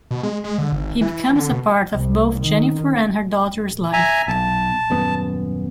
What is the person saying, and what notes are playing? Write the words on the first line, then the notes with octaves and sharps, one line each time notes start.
He becomes a part of both Jennifer and her daughter's life.
B2
G#3
G#3
D3
G#1
E3
E3
D3
B2
C2
D#3
E5 G#5 A#5
B1 A5
D#1 F#2 B3